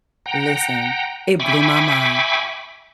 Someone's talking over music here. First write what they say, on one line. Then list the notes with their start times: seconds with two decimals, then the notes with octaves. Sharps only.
listen. It blew my mind.
0.26 F#5 G5 A#5
1.40 E5 G5 G#5 B5 C#6 D6